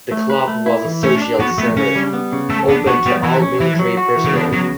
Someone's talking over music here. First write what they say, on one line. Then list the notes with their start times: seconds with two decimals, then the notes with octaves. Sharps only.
The club was a social centre, open to all military personnel.
0.12 A3
0.30 B4
0.48 A3
0.66 E4
0.85 E3
1.03 A3 C#4
1.22 D4
1.40 B3 F#4
1.58 A3 B3
1.77 C#3 C#4
1.96 G3
2.13 B3
2.32 C#3
2.50 A3 A4
2.69 B3 D4
2.87 B3 F#4
3.06 G3 B3
3.23 E3 A4
3.42 C#4
3.60 E3 E4
3.79 F#3
3.97 F#4
4.16 E3
4.25 C#3
4.34 D3 B3
4.52 C#3 F#3